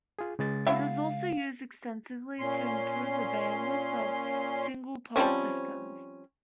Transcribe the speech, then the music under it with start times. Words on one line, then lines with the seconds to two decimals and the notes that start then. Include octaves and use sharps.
It is also used extensively to improve the bandwidth of single pole systems.
0.19 F4 G#4
0.39 C#3 G#3 A6
0.66 F#3 E4 E5 F5
2.39 A#2 C#4 C6
5.16 F3 G3 C4 C#4